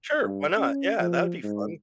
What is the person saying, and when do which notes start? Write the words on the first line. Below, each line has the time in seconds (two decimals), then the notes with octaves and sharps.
Sure, why not, yeah that would be fun.
0.23 G2
0.57 C#4
1.00 F3
1.43 G#2